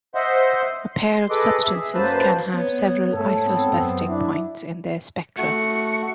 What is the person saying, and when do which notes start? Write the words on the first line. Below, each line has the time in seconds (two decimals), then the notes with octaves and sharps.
A pair of substances can have several isosbestic points in their spectra.
0.15 C5 D#5 E5 F#5 C6
0.93 C6
1.30 G#4 A4 B4 D#5 D6
1.64 G#4 E5
1.94 F#2 F#3 A#3 B4 C5 A5
2.54 B3 C#5
3.14 G#2 A3 A4
3.43 B3 C4
3.75 F#2
4.08 D4 E4
5.38 A3 F#4 C#7